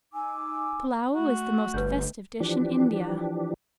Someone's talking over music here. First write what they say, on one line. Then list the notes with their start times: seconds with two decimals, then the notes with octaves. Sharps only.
Pullao is the most festive dish in India.
0.13 D#4 G#5 D6 E6
1.15 A3 F#4
1.74 G1 B4 G6
2.40 E3 F3 D4 G4